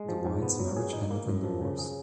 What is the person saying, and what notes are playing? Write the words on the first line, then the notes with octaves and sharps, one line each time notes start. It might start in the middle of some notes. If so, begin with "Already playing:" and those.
DeWine's marriage ended in divorce.
Already playing: G#3
F3
G#2
B3
F#3
G#4
D#4
A#3
F#2
F3
C#3
G#4